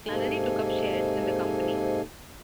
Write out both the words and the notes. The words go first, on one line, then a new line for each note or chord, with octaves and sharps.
Flannery took up shares in the company.
G#2 C3 A#3 D#4 A4 G#5